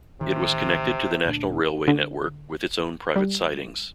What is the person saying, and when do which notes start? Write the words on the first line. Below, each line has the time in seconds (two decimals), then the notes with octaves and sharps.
It was connected to the national railway network, with its own private sidings.
0.21 A1 C3 D#3
1.25 D2 A#2 D4
1.88 D3
3.16 G3